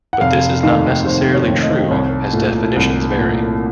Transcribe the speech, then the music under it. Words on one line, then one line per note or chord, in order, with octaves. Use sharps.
But this is not necessarily true, as definitions vary.
F#5
F1 F5
D#2 D#3 A3 F5
F1 C5
C#5
D#2 D#3 A3
D#5
C2 C#5
A#2 A3
C2
A#2 A3